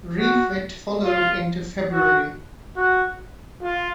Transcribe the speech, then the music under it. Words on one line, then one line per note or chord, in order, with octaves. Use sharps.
Refit followed into February.
F#4
F4
F#4
F#4
F4